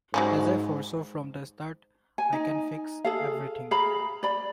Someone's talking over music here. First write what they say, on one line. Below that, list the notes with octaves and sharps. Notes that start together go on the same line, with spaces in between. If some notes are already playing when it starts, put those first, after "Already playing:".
As I foresaw from the start, I can fix everything.
G#2 F#3 G3 C#4
G#5
D#4
G#4 A4 F5
G#4 F5 A#5 B5
D5 B5